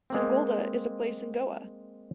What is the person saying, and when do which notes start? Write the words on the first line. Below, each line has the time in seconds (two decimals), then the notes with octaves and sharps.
Sangolda is a place in Goa.
0.10 G#3 A#3 C4